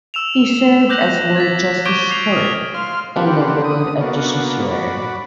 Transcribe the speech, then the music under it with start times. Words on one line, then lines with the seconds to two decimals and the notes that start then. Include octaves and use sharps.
He served as Lord Justice Clerk and a Lord of Justiciary.
0.14 E6 E7 F7
0.89 D6 F#6 G6 A#6 F7 F#7
1.36 G#6 A6 B6
1.85 C#6 D6 G6 G#6 D7 G7
2.09 D6 G6 C7 F7
2.32 D#6 F6
2.74 F5 C6 F6
3.16 A#3 C4 D4 G4 B4 F#5
3.64 D#6
4.01 A#3 B3 D4 F#4
4.71 F#4 D5 B5